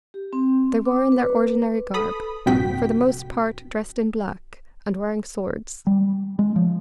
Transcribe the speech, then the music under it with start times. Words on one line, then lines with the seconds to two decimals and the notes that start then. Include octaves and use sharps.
They were in their ordinary garb; for the most part dressed in black, and wearing swords.
0.14 G4
0.33 C4
0.85 D6
1.12 B4
1.94 A4 B5 D#6
2.46 A#1 G2 C3 F#4 G5 B6
5.87 G3
6.39 G#3
6.56 F3